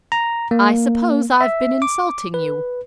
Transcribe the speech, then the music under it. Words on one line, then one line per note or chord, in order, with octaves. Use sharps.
I suppose I've been insulting you.
A#5
A#3
E5
D6
B4